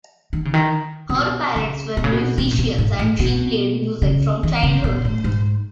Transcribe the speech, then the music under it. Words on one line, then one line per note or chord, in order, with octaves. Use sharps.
Her parents were musicians, and she played music from childhood.
D#3
C#3
D#3
C#3
B2
C#3
B2
C#3
B2
B2
A2
B2
G#2
A2
B2
C#3
D#3
C#3
B2
A2
G#2